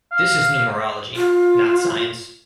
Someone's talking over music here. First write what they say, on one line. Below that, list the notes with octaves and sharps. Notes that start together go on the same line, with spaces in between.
This is numerology, not science.
F5
F4